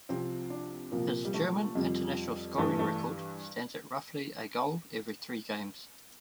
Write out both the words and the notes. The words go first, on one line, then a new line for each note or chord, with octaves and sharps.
His German international scoring record stands at roughly a goal every three games.
C2 C3 F3 C4
D4
C2 A#2 F3 A#3
G3
A3
F2 C3 F3 G3
G2 E3 A3
A3